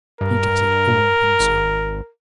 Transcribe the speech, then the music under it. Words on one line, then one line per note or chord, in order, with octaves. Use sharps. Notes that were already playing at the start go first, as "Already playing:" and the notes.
He does it all himself.
G2 A#4
G#1